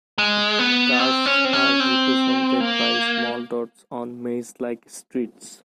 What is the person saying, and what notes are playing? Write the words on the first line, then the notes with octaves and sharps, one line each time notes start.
Cars are represented by small dots on maze-like streets.
G#3
B3
C4
C#4
C4
C#4
C4
A#3